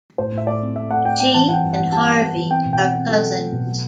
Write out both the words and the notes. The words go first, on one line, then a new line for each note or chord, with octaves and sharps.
She and Harvey are cousins.
A2 C5
A2
E5
A3 D5
C4
A3 E5
A3 F#5
A3 G5
C4 G5
E3 A5
E3 F#5 G5
G2
F#5
E3
G3 A5
B3
B3
E3
C4 G5
B2
G5
C4 F#5
C4
F#3 A4
F#3
A3
B2
F#3